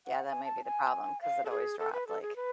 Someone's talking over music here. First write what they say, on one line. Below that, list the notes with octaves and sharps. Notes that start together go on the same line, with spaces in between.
Yeah, that might be the problem, 'cause it always dropped, like
F#5
G#5
A5
G#5
F5
A4
G#4
A4
B4
A4
G#4
B4